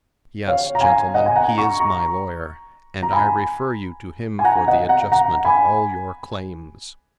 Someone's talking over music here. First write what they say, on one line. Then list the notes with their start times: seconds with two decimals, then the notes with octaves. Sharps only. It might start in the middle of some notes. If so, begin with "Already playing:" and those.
Yes, gentlemen, he is my lawyer, and I refer you to him for the adjustment of all your claims.
0.47 C#5 F5
0.75 A#5
0.81 F5 G#5
1.14 D#5 F#5
1.26 G#5
1.36 F#5 A#5
1.58 A#5 C#6
1.80 A#5 C#6
3.03 A#5
3.12 G#5 B5
4.39 G#5
4.45 F#5 A#5
4.68 D#5 F#5
4.89 F#5 A#5
5.12 F#5 A#5
5.45 G#5 B5